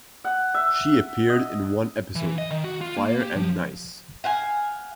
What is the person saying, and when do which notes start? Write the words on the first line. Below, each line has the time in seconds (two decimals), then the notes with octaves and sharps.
She appeared in one episode, "Fire and Nice".
0.24 F#5
0.54 E5
1.30 D#5
2.16 E3
2.38 D#5
2.50 D#3
2.64 F#4
2.81 F4
2.97 A#3
3.20 G4
3.36 F3
4.24 F5 F#5 G#5